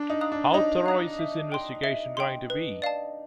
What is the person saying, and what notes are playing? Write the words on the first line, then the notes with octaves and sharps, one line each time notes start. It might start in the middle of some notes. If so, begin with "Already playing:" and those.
How thorough is this investigation going to be?
Already playing: D4
D#4
F5 A#5 D#6 F#6
D4
D#4 C#5
F5 A#5 D#6 F#6
E5
G5 C6
E5
G5 C6
B4
D5 F5 A5